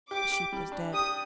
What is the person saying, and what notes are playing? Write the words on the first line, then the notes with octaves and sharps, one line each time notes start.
The sheep was dead.
G4 D6
G4
G3
D4
G4 D#6